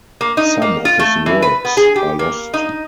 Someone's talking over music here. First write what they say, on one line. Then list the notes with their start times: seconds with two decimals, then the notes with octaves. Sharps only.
Some of his works are lost.
0.21 A#3
0.37 D#4
0.62 A#3
0.85 F4
0.99 A3
1.26 E3
1.42 B4
1.65 B3
1.77 G#4
1.96 G4
2.19 A#3
2.54 D#4